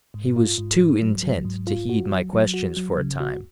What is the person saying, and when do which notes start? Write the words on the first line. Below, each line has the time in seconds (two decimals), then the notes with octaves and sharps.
He was too intent to heed my questions for a time.
0.14 G#2
0.36 F4
0.58 G#2
0.80 G#2
1.02 F#3
1.23 F#3
1.45 G#2
1.67 F4
1.89 F#4
2.11 F#3
2.33 F#3
2.54 F#4
2.77 F#3
2.98 C#3
3.20 F#4